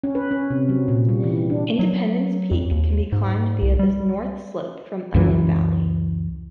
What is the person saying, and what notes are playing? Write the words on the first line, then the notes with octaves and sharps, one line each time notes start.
Independence Peak can be climbed via the north slope from Onion Valley.
C#4
B4
C#4
C3
F#3
A#2
G3
E3
D4
F#3
F2
D#2
G#2
C2
G3
C#2 F#2 E3